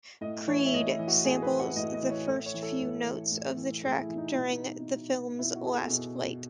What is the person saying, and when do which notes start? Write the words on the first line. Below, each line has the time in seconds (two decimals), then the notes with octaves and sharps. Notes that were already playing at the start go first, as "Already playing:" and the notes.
"Creed" samples the first few notes of the track during the film's last fight.
0.21 A2 D#5
0.47 E3 C#5
0.66 E5
0.73 A2 D#5
0.90 E4
0.99 E3
1.08 F#4
1.25 A2 G#4
1.42 B4
1.51 E3
1.60 F#5
1.76 A2 D#5
1.94 D#5
2.02 E3
2.11 C#5
2.28 A2 A4
2.46 C#5
2.54 E3
2.62 A4
2.80 A2
3.06 E3
3.32 A2
3.57 E3
3.83 A2 G#4
4.00 E4
4.09 E3
4.17 D#4
4.34 B2 E4
4.52 D#4
4.69 D#4
4.87 B2
5.39 B2 E4
5.55 F#4
5.66 G#4
5.73 A4
5.90 B2